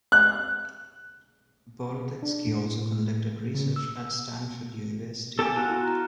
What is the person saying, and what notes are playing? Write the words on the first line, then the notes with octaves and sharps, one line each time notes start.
Boroditsky also conducted research at Stanford University.
F#6
D4
A2
C#3
E6
B3 G4 A4 G#5
F4 F#4 A5
E4
A#5